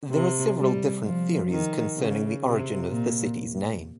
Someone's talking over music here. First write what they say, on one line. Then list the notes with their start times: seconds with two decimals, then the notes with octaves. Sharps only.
There are several different theories concerning the origin of the city's name.
0.10 C3
0.57 G3
1.04 F3
1.50 D#3
1.97 C#3
2.44 C3
2.90 A#2